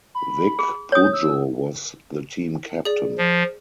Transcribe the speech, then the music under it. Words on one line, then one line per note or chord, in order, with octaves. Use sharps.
Vic Pujo was the team captain.
B5
G#4
C#5 D#6 G6
E6
G#4 D5
F3